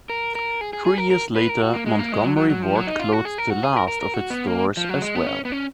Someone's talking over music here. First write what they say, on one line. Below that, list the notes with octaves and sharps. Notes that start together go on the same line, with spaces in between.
Three years later, Montgomery Ward closed the last of its stores as well.
A#4
A#4
G#4
G#4
G#4
A#4
A#4
B4
A#4
F#4
A#3
G#3
A#3
G#3
F#3
F#3
F#3
F3
F#3
D#4
F4
F#4
G#4
A#4
F#4
G#4
A#4
A#4
A#4
F#4
B3
A#3
F3
F#3
G#3
B3
C#4
B3
C#4